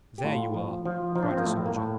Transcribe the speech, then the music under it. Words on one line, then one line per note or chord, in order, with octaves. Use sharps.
There you are!' cried the Soldier.
G4
A2 F4
F3
F3
F3 D#4
D4
C4
A#3
A2 A3
A#3
A2